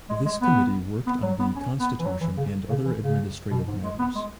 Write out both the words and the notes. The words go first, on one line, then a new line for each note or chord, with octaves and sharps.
This committee worked on the constitution and other administrative matters.
G#3
G#3
B3
B3
F#3
B3
C#4
B3
E3
F#3
E3
C#3
C#3
E3
C#3
B2
G#2
G#3
B3
G#3